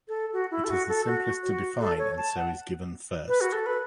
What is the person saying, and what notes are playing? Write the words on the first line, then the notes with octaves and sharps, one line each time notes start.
It is the simplest to define, and so is given first.
A4
F#4
E4
A4
F#4
A4
F#4
F#4
A4
C#5
A5
F#5
B4
F#4
A4
B4